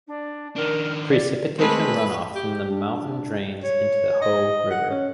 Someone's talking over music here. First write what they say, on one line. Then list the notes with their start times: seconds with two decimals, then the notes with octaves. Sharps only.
Precipitation runoff from the mountain drains into the Hoh River.
0.07 D4
0.56 D#3 D4 A#4
1.09 D5
1.58 G#3 A3 C4 B4
2.35 G4
2.70 D4
3.63 C#5
4.21 D#5
4.71 F#5
4.90 C#4